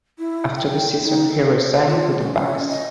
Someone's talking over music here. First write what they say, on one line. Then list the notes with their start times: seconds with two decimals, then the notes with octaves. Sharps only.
After the season, he re-signed with the Bucs.
0.19 E4
0.57 G5
1.03 D#4
1.28 A4
1.57 C5
1.87 F4
2.20 C#4
2.34 C#4
2.69 D#5